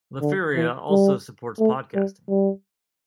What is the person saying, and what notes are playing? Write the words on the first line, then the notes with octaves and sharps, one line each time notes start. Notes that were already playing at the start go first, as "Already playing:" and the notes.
Liferea also supports Podcasting.
D3
E3
G3
A3
G3
G3